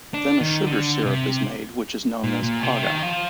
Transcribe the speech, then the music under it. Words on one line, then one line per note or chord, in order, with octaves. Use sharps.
Then a sugar syrup is made which is known as "Paga".
D4
D#3
D3
C3
A#2
A#2
C3
D#3
F3